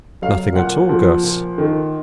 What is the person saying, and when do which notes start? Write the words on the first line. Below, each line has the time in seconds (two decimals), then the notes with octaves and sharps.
"Nothing at all, Guss."
0.22 F#3 F5
0.55 A#2 F#5
0.89 F3
1.23 A#2
1.58 D#3